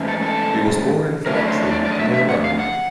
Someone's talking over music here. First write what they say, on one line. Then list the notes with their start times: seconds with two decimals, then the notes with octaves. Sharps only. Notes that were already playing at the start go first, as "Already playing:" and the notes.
He was born in Velletri, near Rome.
Already playing: G#2 E3 A3 C#4
0.08 A4
0.22 A4
1.26 F2 C#3 F#3 A3 D4 A#4
1.37 B4
1.48 C5
1.71 D5
1.85 D5
1.92 D#5
1.99 E5
2.14 E5
2.29 F#5
2.44 F5
2.59 F#5